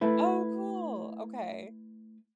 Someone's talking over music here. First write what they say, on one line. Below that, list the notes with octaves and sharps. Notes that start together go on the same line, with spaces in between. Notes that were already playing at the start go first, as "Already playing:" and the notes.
Oh, cool. Okay.
A3 E4 B4